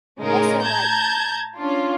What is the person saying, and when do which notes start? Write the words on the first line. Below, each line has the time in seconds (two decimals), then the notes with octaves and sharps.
also, like,
0.19 A2 C#3 G#3 D#4 A#4
0.64 A5 A#5 G6 G#6
1.58 C#4 D4 F4